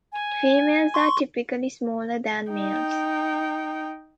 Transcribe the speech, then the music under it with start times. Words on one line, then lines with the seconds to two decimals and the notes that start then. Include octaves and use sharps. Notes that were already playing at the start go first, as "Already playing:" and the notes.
Females are typically smaller than males.
0.12 G#5
0.94 C6 C#6
2.51 D#4 G5